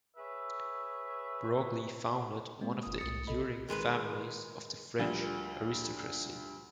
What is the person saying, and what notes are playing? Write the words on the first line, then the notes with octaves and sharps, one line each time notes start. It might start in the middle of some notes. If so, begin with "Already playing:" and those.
Broglie founded one of the enduring families of the French aristocracy.
G#4 B4 C#5 E5
G#3 A#3 C4
G1 D#6
C2 D#6 A6 C#7
B1 C3 A4 D#5 B5
D#3 G#3 G#4 B4
D2 F3 G3